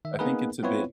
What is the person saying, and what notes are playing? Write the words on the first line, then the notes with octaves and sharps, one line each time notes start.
I think it's a bit,
D#3 E5
A#3 B3 D#4 G#4 A#4 B4
B3 C4 E4 F4 B4 C#5